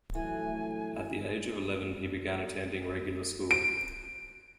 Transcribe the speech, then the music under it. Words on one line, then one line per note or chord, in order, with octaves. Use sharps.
At the age of eleven, he began attending regular school.
A#1 E3 F#3 A3 G#5
D7